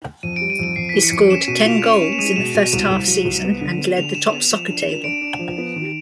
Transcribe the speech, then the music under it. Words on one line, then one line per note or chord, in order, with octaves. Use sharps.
He scored ten goals in the first-half season and led the Top Soccer table.
F2 D#7
G3 D7
D#7
F2 D7
F2 C7
E3 B6
C#7
F2 D7
C#4 E7
B2 D#7
F4 F7
C#4 F7
C#4 E7
E7
G#3 D#7
B2 E7
B2
C2
C2
F#3
C2
B3
D3
B3
D3 F7
D3 E7
B3 F7
F3 F7
D4
E7
D4
D4 D7
D4
F3
B3
D#3